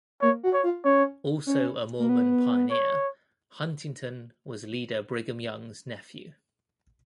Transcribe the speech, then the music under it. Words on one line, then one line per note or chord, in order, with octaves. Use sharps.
Also a Mormon pioneer, Huntington was leader Brigham Young's nephew.
A#3 C#5
F#4
C#5
F4
C#4 C#5
C#4
A#3
B3
C#5